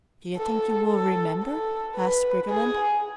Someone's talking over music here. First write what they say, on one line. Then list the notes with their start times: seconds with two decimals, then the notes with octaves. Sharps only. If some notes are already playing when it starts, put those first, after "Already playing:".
"Do you think you will remember?" asked Briggerland.
0.37 A4
0.90 A4
1.44 A4
1.96 B4
2.50 G#4